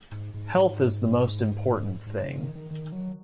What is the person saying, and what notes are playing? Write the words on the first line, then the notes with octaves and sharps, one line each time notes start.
Health is the most important thing.
G#2
G#2
G#2
G#2
C#3
D#3
D#3
D#3
F#3